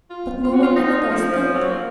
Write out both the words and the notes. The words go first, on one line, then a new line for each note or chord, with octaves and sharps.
"But no one ever does that!"
F4
F4
F#4
F4
D#4
F3
F3
F#3
A#3